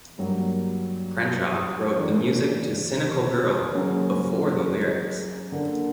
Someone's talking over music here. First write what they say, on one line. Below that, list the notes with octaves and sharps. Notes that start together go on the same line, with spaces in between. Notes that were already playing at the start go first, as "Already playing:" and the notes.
Crenshaw wrote the music to "Cynical Girl" before the lyrics.
G2 F#3 A#3
E3 A#3 D4
C#3 F#3 A#3 C#4
D3 A#3 D4 A#4